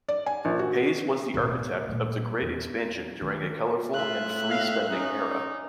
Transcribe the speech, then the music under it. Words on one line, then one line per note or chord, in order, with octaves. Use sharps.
Hays was the architect of the great expansion during a colourful and free-spending era.
D5
G#5
A#1
F#4
D1 B2
D2
A#2 A3
E2
D#3 A3
A2 F4 E5 F#6
F5
C#4 D#4